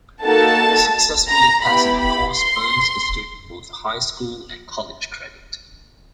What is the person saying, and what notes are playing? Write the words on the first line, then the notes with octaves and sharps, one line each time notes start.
Successfully passing a course earns a student both high school and college credit.
A#3 D#4 F#4 A4 A5
A#5
B3 E4 G4 B5
B5
C6